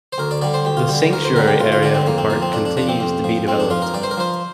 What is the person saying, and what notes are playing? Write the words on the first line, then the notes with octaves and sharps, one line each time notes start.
The sanctuary area of the park continues to be developed.
C5
D2 A#4
D5
D3 G3 D5
C5
D2 G4
F4
D3 G3 G4
G4
D2 A#4
C5
D3 G3 A#4
G4
D2 F4
F4
D3 G3 D4
C4
F2 A#3
C4
F3 A#3
C4
F2 D4
D4
F3 D4
C4
F2
F3
F2 C4
D4
F3 F4
A#4
G2 D5
C5
A#4
F3 C5